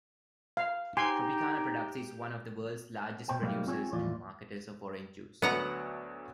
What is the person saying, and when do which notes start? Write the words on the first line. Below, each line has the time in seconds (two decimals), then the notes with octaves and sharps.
Tropicana Products is one of the world's largest producers and marketers of orange juice.
0.57 F5
0.97 D#4 G4 G#5 C6
3.28 B2 C5 G5
3.42 G#2 B2 F#3 G3 A3 A#3
3.67 C4 F4 G#4 C#5 E5 G#5
3.92 D#2 A2 E3 F3 F4 D5
5.42 D2 F#3 A3 B3 F#5 A#5